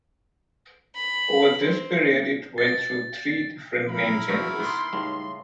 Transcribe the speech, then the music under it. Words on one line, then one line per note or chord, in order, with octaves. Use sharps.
Over this period it went through three different name changes.
B5
C4
A6
A#2 F3 E4 A#4 B5
F3 F#3 A3 F#4 E5 F#5
D#3 B3 C6
C#2 A2 G3 D#4